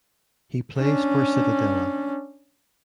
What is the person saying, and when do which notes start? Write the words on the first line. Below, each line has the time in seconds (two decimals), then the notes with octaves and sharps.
He plays for Cittadella.
0.79 C#4 D4